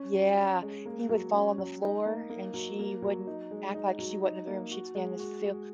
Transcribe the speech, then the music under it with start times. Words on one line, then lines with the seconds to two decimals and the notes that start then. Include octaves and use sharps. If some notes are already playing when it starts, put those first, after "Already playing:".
Yeah, he would fall on the floor and she wouldn't act like she was in the room, she'd stand as still
Already playing: C#4
0.13 F#3
0.37 C#4
0.62 G#3
0.86 A#3
1.09 F#3
1.33 C#4
1.58 F#3
1.83 D#4
2.06 A#3
2.30 A#3
2.54 F#3
2.79 A#3
3.02 F#3
3.27 D#4
3.51 G#3
3.74 D#4
3.99 F#3
4.23 D#4
4.47 A#3
4.71 F#4
4.95 G#3
5.19 F#4
5.44 G#3